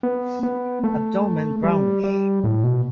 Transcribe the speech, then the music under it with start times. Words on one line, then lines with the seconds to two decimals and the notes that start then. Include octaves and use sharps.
Abdomen brownish.
0.03 B3
0.43 B3
0.84 A3
1.64 G3
2.04 G3
2.44 A2
2.63 B2